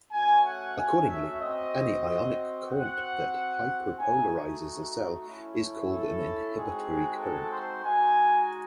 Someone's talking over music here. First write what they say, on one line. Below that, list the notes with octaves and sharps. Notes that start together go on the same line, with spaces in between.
Accordingly, any ionic current that hyperpolarizes a cell is called an inhibitory current.
A3 C#4 F#4 G#5
F#5
G#5
E5
C4 F#4 D#5
C4 F#4 F#5
A3 D#4 F#4 G#5
A3 C#4 E4
A4
G#3 C4 D#4 F#4 G#4
A4
C5
G#3 D#4 F#4 G#5